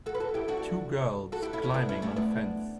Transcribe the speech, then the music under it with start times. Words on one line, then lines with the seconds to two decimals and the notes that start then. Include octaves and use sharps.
Two girls climbing on a fence.
0.06 F#4 A4
0.15 B4
0.20 F#4 A4
0.34 E4 G4
0.48 D4 F#4
1.32 F#4 A4
1.42 E4 G4
1.53 C#4 E4
1.64 C#4 E4
1.74 B3 D4
1.89 C#4 E4
2.02 A3 C#4
2.16 B3 D4